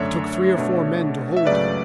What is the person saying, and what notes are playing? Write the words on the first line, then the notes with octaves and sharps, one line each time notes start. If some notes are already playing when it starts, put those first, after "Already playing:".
It took three or four men to hold him.
Already playing: F#2 D3 A3 D4 C#5 E5
B2 A3 D4
E5
C#2 C#3 F#3 A3 B4 D5